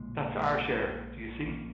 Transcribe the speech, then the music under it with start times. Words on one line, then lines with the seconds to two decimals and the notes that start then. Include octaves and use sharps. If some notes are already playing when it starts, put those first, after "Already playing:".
That's our share, do you see?
Already playing: A#1 A#2 G#3
1.45 A#1 A#2 A#3 C#4